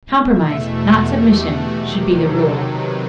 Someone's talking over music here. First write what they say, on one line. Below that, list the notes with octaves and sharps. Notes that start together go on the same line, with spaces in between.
Compromise, not submission, should be the rule.
E2 B2 A3 E5
F#4
G4
F#4
C3 D#3 F#3 G4
A4
B4